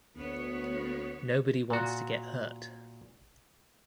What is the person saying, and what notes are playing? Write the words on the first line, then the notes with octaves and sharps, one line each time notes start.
Nobody wants to get hurt.
D2 B3 D4 C#5
A#2 F#4